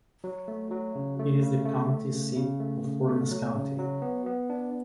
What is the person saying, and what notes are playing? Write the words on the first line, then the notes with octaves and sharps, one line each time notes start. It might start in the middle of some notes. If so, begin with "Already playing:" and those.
It is the county seat of Furnas County.
F#3
A3
F#3
C#3
A3
C#3
A3
A3
C#3
C#3
A3
C#3
A3
F#3
C#3
F#3
B3
B3
D4